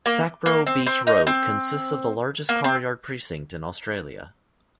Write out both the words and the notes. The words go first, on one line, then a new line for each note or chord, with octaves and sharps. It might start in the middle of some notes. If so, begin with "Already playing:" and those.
Sacbrough Beach Rd consists of the largest car yard precinct in Australia.
A#3
A#3
C4
C4
D#4
C4
A#3
C4